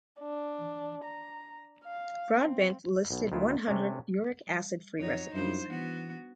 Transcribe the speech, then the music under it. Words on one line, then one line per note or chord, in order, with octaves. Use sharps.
Broadbent listed one hundred Uric Acid free recipes.
D4
A#5
F5
C4
B1 B2
D2 D#3 B3 E4 F4
C3 A3 C#4 D4
G3
F2 F#3 D#4 C#5
F#2 F3 G3 D4 D#4 C5
E3 B3 F#4